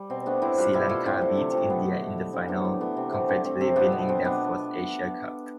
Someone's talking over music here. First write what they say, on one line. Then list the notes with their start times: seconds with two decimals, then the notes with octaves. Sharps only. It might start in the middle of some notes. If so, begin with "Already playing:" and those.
Sri Lanka beat India in the final comfortably winning their fourth Asia Cup.
Already playing: G3
0.10 B2 C4
0.26 A3 B3 D4
0.42 A2 C4 E4
0.58 G3 D4 F4
0.74 B2 E4 G4
0.89 A3 F4 A4
1.05 D3 C4 E4
1.21 A3
1.37 C3
1.53 F3 A3
1.70 B2 B3
1.85 A3
2.01 B2
2.18 A3
2.33 D3 C4
2.48 A3 B3 D4
2.65 A2
2.81 E3 A3 B3 D4
2.97 C3 C4
3.12 E3 A3 B3
3.29 D3 C4
3.44 A3 C4
3.61 C3 C4
3.76 F3 A3 B3 D4
3.92 B2
4.08 A3 C4
4.24 B2 B3 D4